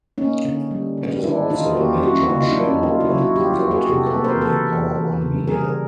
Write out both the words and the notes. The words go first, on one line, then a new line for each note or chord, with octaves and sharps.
It is also a major shareholder in consulting company PowerOne Media.
A#3 C#4 D#4
D3
G3
D3
D#3 D4 E4
D#3 D#4 F4
F#4
A#3 F4 G4
G3 E4 F#4
A#3 D#4 F4
D4 E4
F#3
C#4 D#4
A#3 D#4 F4
E4 F#4
F#3
E4 F#4
G3 F4 G4
E4 F#4
A#3
F#4 G#4
C3 G4 A4
A4 B4
A#3
A#4 C5
E3 A4 B4
E3
E3
C#3
G3 G#4 A#4